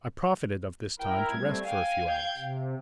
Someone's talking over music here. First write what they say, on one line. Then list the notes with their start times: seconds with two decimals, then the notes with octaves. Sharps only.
I profited of this time to rest for a few hours.
0.99 E4 A#4 G5
1.30 G3 A3 C4 G#6
1.63 F5 G5 G#5
2.07 G6 G#6
2.37 C3